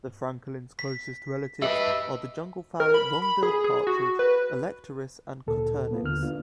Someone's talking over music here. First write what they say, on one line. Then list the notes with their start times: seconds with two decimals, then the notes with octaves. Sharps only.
The francolins' closest relatives are the junglefowl, long-billed partridge, "Alectoris" and "Coturnix".
0.79 B6
1.62 G3 B4 D#5 E5 E6
2.80 A#4
2.94 B5
3.22 B5
3.43 G#4
3.64 G#4
3.87 F#4
4.19 B4
5.47 D2 A#2 A4
5.91 A#3 B3 F4
6.03 D#2 D3 F6
6.23 B3 D4 F4